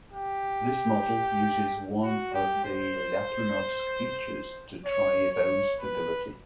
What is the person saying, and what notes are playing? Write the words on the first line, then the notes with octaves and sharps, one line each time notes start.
This model uses one of the Ljapunov's features to try his own stability.
G4
F#4
G4
C5
C#5
C#5
B4